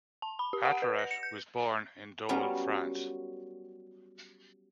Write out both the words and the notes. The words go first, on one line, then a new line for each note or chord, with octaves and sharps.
Attiret was born in Dole, France.
A5
B5
G4
F#5
B4
A#6
C#7
G6
F#3 G3 B3 C#4 A#4